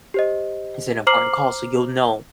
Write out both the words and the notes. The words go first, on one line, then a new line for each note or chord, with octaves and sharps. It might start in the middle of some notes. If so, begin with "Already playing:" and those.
It's an important call so you'll know
G4 C5 D#5
C5 A#5 D6 F6 C7 F#7